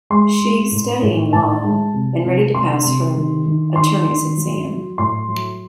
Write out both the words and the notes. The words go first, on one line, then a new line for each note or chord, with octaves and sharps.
She's studying law and ready to pass her attorney's exam.
G#3 C6
G#3
A2
A2
A2 A5
G#3
C3
C3
C3 C6
C3
D#3
D#3
D#3 C6
D#3
F#3
F#3
A2 C6
F#3